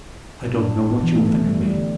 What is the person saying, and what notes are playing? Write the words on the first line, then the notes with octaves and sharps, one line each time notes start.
I don't know what you will think of me.
D4
B3
E3
A3
A3
G3
G3
D3